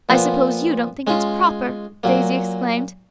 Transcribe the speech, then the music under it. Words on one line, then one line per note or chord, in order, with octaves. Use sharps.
"I suppose you don't think it's proper!" Daisy exclaimed.
A#2 F3 B3
G#3 C#4 F4
A#2 F#3 A#3